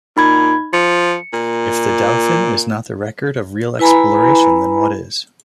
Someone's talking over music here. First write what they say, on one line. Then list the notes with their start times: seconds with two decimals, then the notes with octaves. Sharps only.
If the Dauphin is not the record of real exploration, then what is it?
0.17 A#2 D#4 B5 G#6
0.73 F3 C#7
1.33 A#2
3.79 E4 B4 G#5 A#5 B5